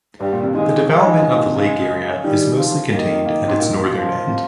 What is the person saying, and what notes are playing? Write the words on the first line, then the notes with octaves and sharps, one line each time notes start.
The development of the lake area is mostly contained at its northern end.
G2 G3
A#2
C3
D#3 G#3
F3 G#3
D#3
D#3
A#2
C3
C#3 G#3
D#3 G3
F3
D#3 A#3
A#3
G#2
A#2
F3
C3